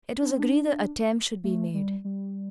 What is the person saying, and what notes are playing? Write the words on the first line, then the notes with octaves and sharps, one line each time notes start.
It was agreed the attempt should be made.
D4
C4
D4
A3
G3
G3